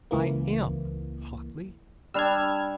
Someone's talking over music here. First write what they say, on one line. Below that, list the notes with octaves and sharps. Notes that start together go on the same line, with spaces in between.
"I am!" hotly.
C#2 E3 A#3
G3 D4 E6 F6 G#6